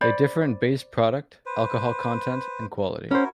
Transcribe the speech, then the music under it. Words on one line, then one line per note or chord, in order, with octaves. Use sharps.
They differ in base product, alcoholic content, and quality.
C5 D5 B5
B4 C5
C#4 E4 F#4 A#4 C5